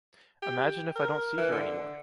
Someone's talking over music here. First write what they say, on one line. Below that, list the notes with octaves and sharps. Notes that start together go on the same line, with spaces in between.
Imagine if I don’t see her anymore.
G4
A#4
E3
D3